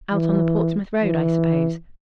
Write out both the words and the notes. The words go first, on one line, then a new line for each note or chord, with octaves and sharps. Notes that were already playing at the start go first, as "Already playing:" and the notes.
"Out on the Portsmouth Road, I suppose?"
E3
E3